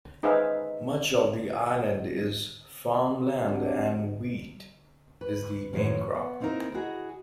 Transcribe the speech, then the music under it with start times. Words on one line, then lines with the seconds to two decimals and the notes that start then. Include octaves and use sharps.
Much of the island is farmland, and wheat is the main crop.
0.23 D#4 G#4 B4 C5 E5 F5
3.41 F#3 G3 C4 D4 F#4
5.21 B4
5.73 F#2 A2 D#3 F#3 C#4
6.15 B3
6.40 A#3 C4 D#4 E4 A#4
6.74 E4 F#4 G#4 D#5